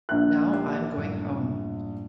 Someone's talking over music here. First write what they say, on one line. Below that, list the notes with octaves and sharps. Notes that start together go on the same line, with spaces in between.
Now I'm going home.
A#1 F#6
A#3 D#4 G4
F#2 A2 G3